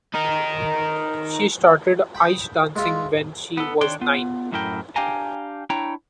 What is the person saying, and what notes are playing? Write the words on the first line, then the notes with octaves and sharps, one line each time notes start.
She started ice dancing when she was nine.
D#4 A#4
G5 B5 D#6
G#3 F4 E5
B3 A4
D#3 D4 C#5 D5 G5 C6
B3 F4
F#2 A2 E4 A#4 G5
D4 G4 F5 G5 G#5 A#5
D4 E4 C#5 G5 A#5